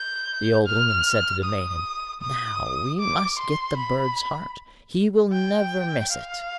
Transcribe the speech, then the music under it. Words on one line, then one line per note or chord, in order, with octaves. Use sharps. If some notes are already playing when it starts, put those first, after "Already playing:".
The Old Woman said to the Maiden: 'Now we must get the bird's heart, he will never miss it.'
Already playing: G6
F6
D#6
D#6
D6
C6
B5
G5
F5